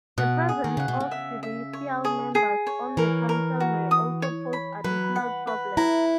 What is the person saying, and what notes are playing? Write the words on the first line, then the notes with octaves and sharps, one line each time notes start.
The presence of judicial members on the Council may also pose additional problems.
B2 F#5
G#4
D#3
C#3 F#5
B2
C#3
E5
E5
C#5
G#4
G#4
C#5
E3 A#4
A#4
F#4
D#6
C#5
B5
F#3 B4
F#5
B4
E4 A#5